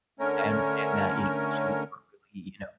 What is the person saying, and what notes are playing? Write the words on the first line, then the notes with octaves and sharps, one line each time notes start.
I understand that, you know, most people aren't really, you know,
D3 A3 C#4 A#4 C#5